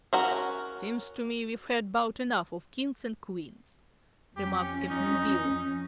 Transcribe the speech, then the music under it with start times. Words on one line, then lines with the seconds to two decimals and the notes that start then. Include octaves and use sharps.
"Seems to me we've had 'bout enough of kings an' queens," remarked Cap'n Bill.
0.13 C#4 F#4 A#4
4.37 F2 C#4 G4
4.91 D#4